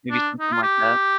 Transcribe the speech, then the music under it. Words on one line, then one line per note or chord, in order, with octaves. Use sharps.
maybe something like that?
D4
D#4
F4
G4